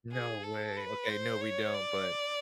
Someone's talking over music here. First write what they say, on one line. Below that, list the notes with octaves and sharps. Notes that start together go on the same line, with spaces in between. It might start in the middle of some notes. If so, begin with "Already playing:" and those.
No way. Okay, no, we don't, but
G#4
A4
B4
C5
C#5
D5